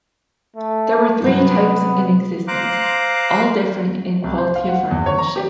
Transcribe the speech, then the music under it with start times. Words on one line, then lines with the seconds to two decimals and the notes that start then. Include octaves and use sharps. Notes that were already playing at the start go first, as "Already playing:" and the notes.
There were three types in existence, all differing in quality of workmanship.
0.56 A3
1.22 C3 F#3 G3 B3
2.48 C5 F5 A#5 D6 F#6
4.24 C2
4.38 C5
4.56 F5
4.69 F#5
4.91 E2
5.06 C#5
5.18 A#5
5.36 G4